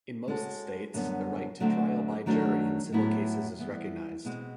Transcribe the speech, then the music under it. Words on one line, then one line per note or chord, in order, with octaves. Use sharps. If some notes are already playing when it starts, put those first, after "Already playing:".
In most states, the right to trial by jury in civil cases is recognized.
G#3 C#4 F#4 A4
F#2 D3 G3 B3
D3 F#3 A3 C4
D#3 F#3 A3 D4 F#4
A2 F#3 B3 E4
E3 G3 B3
B2 G#3 C4